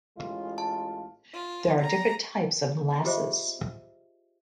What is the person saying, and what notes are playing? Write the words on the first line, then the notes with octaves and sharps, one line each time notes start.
There are different types of molasses.
A1 G#3 F4
A5
F4
A#5
F4 G4 G#4 C5 D#5 E5